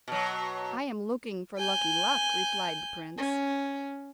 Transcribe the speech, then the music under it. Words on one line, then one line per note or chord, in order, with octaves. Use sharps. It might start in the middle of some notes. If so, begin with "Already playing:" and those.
'I am looking for Lucky Luck,' replied the prince.
B2 F#3
G#5 G6
C#4